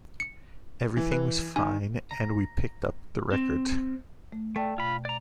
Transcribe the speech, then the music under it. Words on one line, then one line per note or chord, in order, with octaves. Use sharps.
Everything was fine and we picked up the record.
C#7
E3
B4
D#3 G#5
A#5
C4
A3
A3 D5 G5 A5
B2 F4 B5
D5 A#5